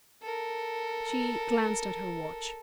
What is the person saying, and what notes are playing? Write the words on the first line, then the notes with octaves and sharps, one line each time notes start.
She glanced at her watch.
A4 A#4